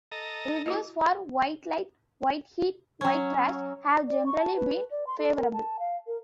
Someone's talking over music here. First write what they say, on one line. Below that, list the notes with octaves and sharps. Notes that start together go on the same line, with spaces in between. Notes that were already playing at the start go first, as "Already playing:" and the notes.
Reviews for "White Light, White Heat, White Trash" have generally been favorable.
A4 D#5 A#5
A#3 E4 F#4 D#5
F#3 C#4
D5
C#6
A5
B4
D5
C6
A4
A#4
A5
F5
A#4